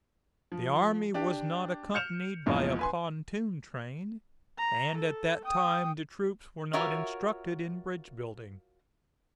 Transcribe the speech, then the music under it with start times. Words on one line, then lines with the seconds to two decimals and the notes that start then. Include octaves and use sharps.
The army was not accompanied by a pontoon train, and at that time the troops were not instructed in bridge building.
0.52 F3
1.14 D4 G4
1.94 F6 G6 C#7 E7 F7
2.46 A#1 E2 A#2 F3 G#3
2.79 B4 G#5 C6
4.58 A#5
4.97 A4
5.44 G5 D#6
6.73 F4 F#4 A#4 C#5 E5